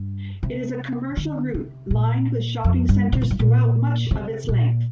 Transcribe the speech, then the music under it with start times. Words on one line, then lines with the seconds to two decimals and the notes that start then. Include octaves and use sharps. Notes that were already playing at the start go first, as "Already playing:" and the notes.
It is a commercial route lined with shopping centers throughout much of its length.
Already playing: G2
0.43 C3
1.17 D3
1.54 C3
1.90 A#2
2.64 F2
2.89 G2
3.13 C3
3.22 A#2
3.31 G2
3.39 A#2
4.11 C3
4.49 A#2